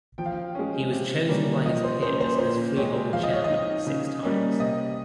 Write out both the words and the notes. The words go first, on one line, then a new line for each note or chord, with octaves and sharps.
He was chosen by his peers as Freeholder Chairman six times.
F3 G5
F5
G5
G#3 C#4
C3
G3 A#3 C#4
F3 D#5
C5
A#3 C#4 C5
C5
A#2 C5
G#3 C4 C#5
F3 F5
D#5
C#5
D#5
C4 D#4
C#3
G3 A#3 C#4
C3 D#5